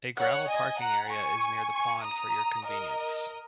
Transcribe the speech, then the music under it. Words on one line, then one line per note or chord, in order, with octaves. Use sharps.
A gravel parking area is near the pond for your convenience.
C#5 F#5
D#5 G#5
F#5 A#5
G#5 C#6
G#5 C#6
A#5 D#6
A#4 D#5